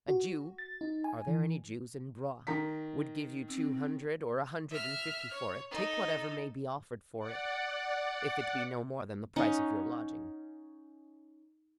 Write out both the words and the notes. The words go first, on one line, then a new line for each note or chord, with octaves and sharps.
A Jew--are there any Jews in Blois?--would give you two hundred or a hundred and fifty for it--take whatever may be offered for it, if it be no more than the price of your lodging.
F#4
A6
D#4
G#5
E3
D#3 A#5 B6
C4
E5 F6
C#5
D#4 A4
D5 F#5
C#4 D#4 F#5